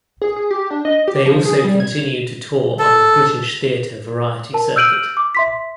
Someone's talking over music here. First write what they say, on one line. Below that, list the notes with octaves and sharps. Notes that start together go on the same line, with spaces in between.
They also continued to tour on the British theatre variety circuit.
G#4
G#4
G4
D4
D#5
G4
F3
G#4
G3
G#6
A4
A#4 A5
E6 F6 G6 D7 D#7 F#7
D6
E5 C6 B6